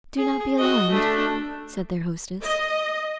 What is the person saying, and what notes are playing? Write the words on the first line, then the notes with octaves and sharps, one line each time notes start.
"Do not be alarmed," said their hostess.
G#4
F#4 D#5
A3 D4
D#5